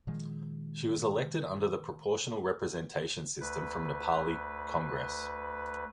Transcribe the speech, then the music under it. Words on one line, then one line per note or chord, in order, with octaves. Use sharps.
She was elected under the proportional representation system from Nepali Congress.
A#2 D#3 F3 G#3
D2 B4